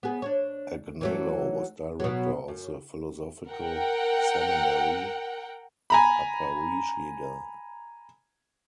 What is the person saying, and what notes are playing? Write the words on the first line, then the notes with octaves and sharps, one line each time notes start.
Agnelo was director of the philosophical seminary, Aparecida.
B3 G#4
D4 C#5
E3 F#3 A3
B2 F#3
F#2
A#4 F#5 G5
G#5 A#5 B5